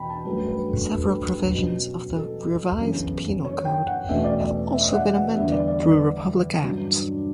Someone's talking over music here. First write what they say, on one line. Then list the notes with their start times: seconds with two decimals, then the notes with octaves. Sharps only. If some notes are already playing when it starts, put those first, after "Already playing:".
Several provisions of the Revised Penal Code have also been amended through Republic Acts.
Already playing: E2 B2 G5 B5
0.10 A5
0.25 G2 F#3 A3 C#4 B4
0.47 B4
0.68 A4
0.89 A4
1.04 G4
1.31 G4
1.54 B2 F#3 C#4
2.16 A4
2.81 F#2 C#3 E3 B3
3.45 C#5
3.65 G5
3.87 F#5
4.09 E2 B2 A3 C#4 E5
4.24 D5
4.40 D5
4.72 E5
4.89 E5
4.93 F#5
5.14 F#5
5.35 E2 D3 G3 B3 E5
5.52 D5
5.68 D5
5.83 D5
6.63 G2 F#3 C#4